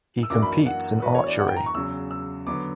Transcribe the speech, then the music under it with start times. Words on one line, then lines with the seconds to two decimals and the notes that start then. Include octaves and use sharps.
He competes in archery.
0.23 E6
0.30 F#2 E3 A#3 D4 F#4 D6
0.42 B5
0.66 F#5
1.02 E3 B3 D4 F#4 B4
1.15 C#5
1.27 D5
1.39 F#5
1.48 G5
1.56 A#5
1.66 C#6
1.74 E2 C#3 F#3 E6
2.11 E6
2.47 D3 F#3 B3 D6